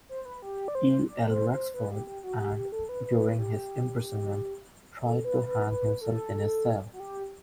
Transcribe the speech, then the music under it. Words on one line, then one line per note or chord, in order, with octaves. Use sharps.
E. L. Rexford and, during his imprisonment, tried to hang himself in his cell.
C5
B4
G4
D5
C5
D5
C5
C5
B4
G4
G4
F#4
G4
G4
A4
B4
B4
G4
A4
B4
B4
B4
A4
F#4
G4